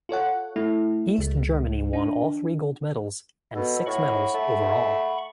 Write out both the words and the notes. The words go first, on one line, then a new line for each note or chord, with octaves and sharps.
East Germany won all three gold medals, and six medals overall.
F4 A4 C#5 F#5
A3 E4
C#2 G#3
D4
B2 B3 A4
A2 F#5 B5 C#6
A3